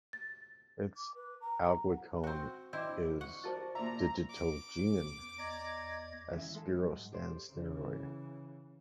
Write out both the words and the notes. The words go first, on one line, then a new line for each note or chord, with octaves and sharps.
Its aglycone is digitogenin, a spirostan steroid.
A6
D6
B4
A#5
A#5
F#5
C4 F#4
C4 D4 E4 D#5 D6
F#5 C#6
F#4 A#4 C5 D5 A5 A6
A#2 D5 E5 A#5 F7
D6
E2
E2 D5 D#5 A#5 G#6
E3 G#3 C#4 E5
G#3 A4 A5
F#3 G3
G#2
G4 A4 C5 D5
C#3 E3